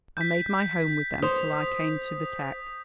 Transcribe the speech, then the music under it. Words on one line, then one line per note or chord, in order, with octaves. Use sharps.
I made my home with them till I came to the Tech.
G6 B6
C5 D#6